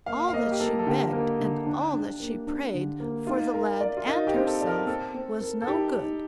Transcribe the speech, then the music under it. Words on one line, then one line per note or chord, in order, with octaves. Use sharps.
All that she begged, and all that she prayed, for the lad and herself, was no good.
A#3 F5
F5
A#3 D#5
G4
A#3 A4
A4
D3 G4
A#3
D3
D4
D4
A#3
D4
D3
A#3
D#4 F4
A#4
D5
F4
D#4 A#4
G4
C4
A4
A4 D5
A#4
C4 A4
C4
A#4
A4
D#4 G4
D#4